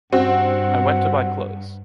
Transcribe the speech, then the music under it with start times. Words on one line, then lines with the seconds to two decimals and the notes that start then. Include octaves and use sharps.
I went to buy clothes.
0.13 G2 C4 F#4 F#5